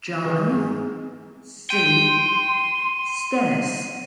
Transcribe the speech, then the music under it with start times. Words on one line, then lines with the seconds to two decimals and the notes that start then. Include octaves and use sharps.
John C. Stennis.
0.25 E3
0.52 G#2
1.70 G5 C6 D#7